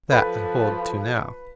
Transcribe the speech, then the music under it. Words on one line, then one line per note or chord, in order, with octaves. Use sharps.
That I hold to now.
F3 A4 B4